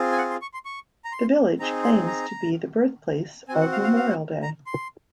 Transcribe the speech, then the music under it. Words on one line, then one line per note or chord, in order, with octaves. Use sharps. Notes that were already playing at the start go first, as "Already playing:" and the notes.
The village claims to be the birthplace of Memorial Day.
Already playing: C4 F4 G#4
G#5
F#5
C6
C#6
C6
C#6
A#5
C6
C4 D#4 G#4 A#5
C6
A#5
C4 F#4 G#5
F#5
F5
F5
F5
A#5
C6